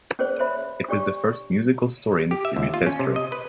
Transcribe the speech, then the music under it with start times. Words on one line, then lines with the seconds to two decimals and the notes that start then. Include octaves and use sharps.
It is the first musical story in the series' history.
0.19 C#4 G#4 B4 C5 D5
0.39 C5 C#5 E5 B5
0.88 D4 G4 D5 C#6
2.31 G4
2.45 E5
2.56 D#2
2.74 F4
2.86 C#4
2.99 C3
3.16 D#5
3.32 B4